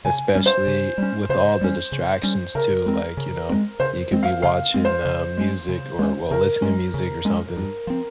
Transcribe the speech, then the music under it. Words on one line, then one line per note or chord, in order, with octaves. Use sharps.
especially with all the distractions too. Like, you know, you could be watching, um, music or, well, listen to music or something
C#3 G#5
G3 C#4
C5
C#3
G3 C#4
C#3 C5
G3 C#4
C#3
G3 C#4
C#3 A#4
G#3 C4
C#3
G#3 C4
C#3 C5
G#3 C4
F5
C#3 F5
G#3 C4
C5
C#3
G#3 C#4
C#3
G#3 C#4
C#3 A#4
G#3 C#4
C#3
G#3 C#4
G2
F3 C4